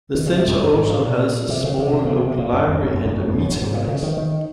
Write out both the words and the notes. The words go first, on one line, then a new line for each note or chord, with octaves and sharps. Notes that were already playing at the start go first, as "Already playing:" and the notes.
The centre also has a small local library and a meeting place.
D#3
C#3
C3
F2
F#2
G#2
A#2
C3
C#3
C3
C3
C#3
C3
C3
A#2
F#2
F2
F#2
F#2
F#2
F#2
F2
F#2
F#2
G#2
A#2
C#3
D#3
D#3